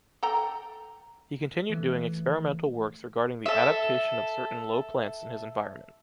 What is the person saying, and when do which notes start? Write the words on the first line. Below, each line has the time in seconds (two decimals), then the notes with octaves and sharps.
He continued doing experimental works regarding the adaptation of certain low plants in his environment.
0.23 A4 G5 A#5
1.70 E3 A3
3.46 A4 E5